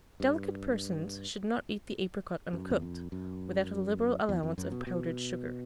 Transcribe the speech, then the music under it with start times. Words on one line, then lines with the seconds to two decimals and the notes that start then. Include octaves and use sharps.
Delicate persons should not eat the apricot uncooked, without a liberal allowance of powdered sugar.
0.20 G2
2.53 F#2
2.70 E2
2.82 F2
3.12 F#2
4.29 E2
4.43 F2
4.58 F#2
4.72 B2
4.87 B2